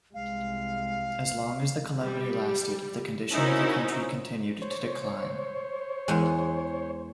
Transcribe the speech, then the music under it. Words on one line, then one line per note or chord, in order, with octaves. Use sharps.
As long as the calamity lasted, the condition of the country continued to decline.
C2 G#3 F5
G3
C#4 D#4 E4 F#4 A#4 C5
C5 C#5
E2 G#3